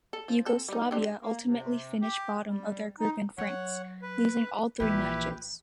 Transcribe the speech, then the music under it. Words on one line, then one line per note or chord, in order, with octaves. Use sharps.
Yugoslavia ultimately finished bottom of their group in France, losing all three matches.
A4
F3
C4 A4
G3 D#4
C4 D4 G4
A#3
C3
G4
G3
D#4
F#3 C#5 F#5
B4
A#1 E3 E4 G4 B4